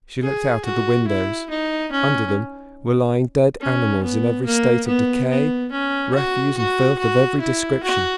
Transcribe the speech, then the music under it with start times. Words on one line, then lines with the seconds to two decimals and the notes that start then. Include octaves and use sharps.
She looked out of the windows; under them were lying dead animals in every state of decay, refuse and filth of every description.
0.23 G#4
0.65 F#4
1.07 E4
1.50 D#4
1.92 C#4
3.61 C#4
4.03 B3
4.45 A#3
4.87 B3
5.29 B3
5.72 C#4
6.14 F#4
6.57 F#4
6.98 F#4
7.40 E4
7.83 F#4